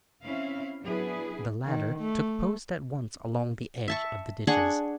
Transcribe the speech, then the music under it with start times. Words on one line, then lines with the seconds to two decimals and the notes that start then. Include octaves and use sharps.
The latter took post at once along the edge of the ditches.
0.24 C4 C#4 E4 E5 F5
0.83 F#3 B3 D4 E4 G#4 B4
1.65 D#3
1.99 A3
3.88 E5 A5 C#6
4.47 D4 G#4 F#5 C#6